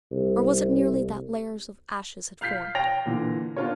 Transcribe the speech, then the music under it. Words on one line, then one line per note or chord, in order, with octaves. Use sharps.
Or was it merely that layers of ashes had formed?
C2
F5 F6 G6 B6 C7
C#5 G5 A#6 F7
A#2 D3 E3
B3 C#4 D4 F4 A#4 C#5